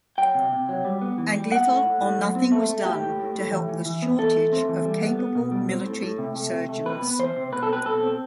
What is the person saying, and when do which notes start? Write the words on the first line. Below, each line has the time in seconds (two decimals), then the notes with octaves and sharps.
And little or nothing was done to help the shortage of capable military surgeons.
0.18 F#3 G5
0.35 C3
0.52 C3
0.69 F#3
0.85 G3
1.02 B3
1.18 E3
1.34 G3
1.51 B3 F#5
1.68 A2
1.86 A2
2.02 A2
2.19 F#3
2.35 C4
2.52 A3
2.69 A3
2.85 A2 G4
3.02 A2
3.19 A2
3.35 A2
3.52 E3
3.69 E3
3.86 E3
4.02 B3
4.19 E3 A4
4.36 A3
4.52 C4
4.69 E3
4.85 G3
5.02 B3
5.19 B3
5.35 B2
5.52 G3
5.69 C4
5.86 A2
6.02 A2
6.18 C3
6.35 A3
6.52 C3
6.69 A3
6.86 C3 B4
7.02 B3
7.19 E3 C5
7.36 C3
7.52 B2 B4
7.63 A4
7.69 C4 B4
7.86 B2 A4
8.02 C4